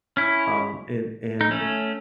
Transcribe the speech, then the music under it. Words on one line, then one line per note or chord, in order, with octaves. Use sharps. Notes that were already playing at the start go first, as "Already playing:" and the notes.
um, and and
C#4 E4
D#4
A3 C#4